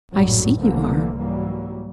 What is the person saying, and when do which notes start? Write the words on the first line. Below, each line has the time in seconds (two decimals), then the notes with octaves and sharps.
I see you are.
0.14 A#1 F#2 A2 F#3 G3
0.60 C2 D3 E3 F3 A3 A#3
1.18 G#2 E3 F#3 G3 A#3